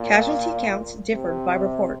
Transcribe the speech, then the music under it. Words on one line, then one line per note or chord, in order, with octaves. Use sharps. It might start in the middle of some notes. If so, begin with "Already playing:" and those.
Casualty counts differed by report.
Already playing: A#2
C3